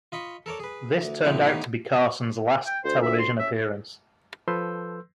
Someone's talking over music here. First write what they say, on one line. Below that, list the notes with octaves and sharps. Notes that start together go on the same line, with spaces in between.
This turned out to be Carson's last television appearance.
F4 D#5 B5 C#6
A4 A#4 C#5 D5
G#4 B4
D2
A#2 D3 F3 C4 D#4 E4
A1 D#3 B3 G4 D#6
G5
D2 C5
E5
C6
C#4 E5
F3 A4 B4 C6 E6 G6